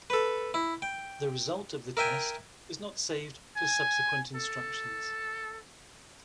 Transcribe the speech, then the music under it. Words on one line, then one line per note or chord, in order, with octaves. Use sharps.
The result of the test is not saved for subsequent instructions.
A4 B4
E4
G5
A#4 E5 G5 G#5
G#5
A4